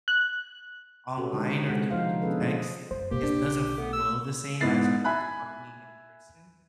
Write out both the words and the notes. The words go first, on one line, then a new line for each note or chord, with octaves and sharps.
online or through through text is doesn't flow the same as when you're talking in person,
F#6
C#4 F#4 G4 A4 B4
D3 G#3 D#4 C5
C3 G#3 F#5
F3 D#4 C5 F5
B3 C#4 D4 G#4 A4 B4
B2 A3 F4 D#5
F#2 C5
B1 A#3 G4
B1 D4
A3 B3
E6
G#2 B3 E4 A6 C7
E5 G#5 B5 F#6